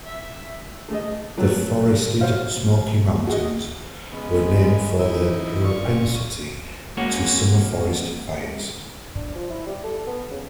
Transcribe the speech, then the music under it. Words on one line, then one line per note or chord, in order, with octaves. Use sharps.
The forested Smoky Mountains were named for their propensity to summer forest fires.
E5
A3 G#4 D#5
F#3 A3
F#4 C5 C#5 F5
F#4 G#4 D#5
C#3 G#3 B3
E3 D#4 E4
C#4 F4 D5 C#6
G#3 A#3 C#4 F#4
D4
F3
E4
G3
A4
B3
C#3